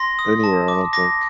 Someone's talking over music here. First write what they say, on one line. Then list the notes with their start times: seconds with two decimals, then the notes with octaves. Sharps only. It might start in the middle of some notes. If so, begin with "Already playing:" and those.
anywhere, I don't think.
Already playing: C6 A#6
0.19 D#6
0.44 A5
0.68 D6
0.93 D6 A#6